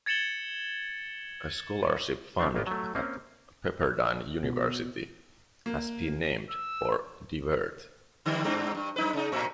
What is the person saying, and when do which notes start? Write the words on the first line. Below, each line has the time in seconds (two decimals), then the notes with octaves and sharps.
A scholarship fund at Pepperdine University has been named for DeWert.
0.06 G#6 A6 C#7 E7 F#7 G7
2.39 F3 B3 C4 D4
2.55 A1 A#3 B3 F4 G5
2.67 F#3 A3
2.95 A#3 C4 C#4
4.43 B2
5.66 A#3
6.50 E6
8.26 D3 D#3 G3
8.44 G2 C4 D4
8.75 G2
8.96 F#2 D#4 B4
9.13 C#3 D#4
9.32 A2 C3 A#3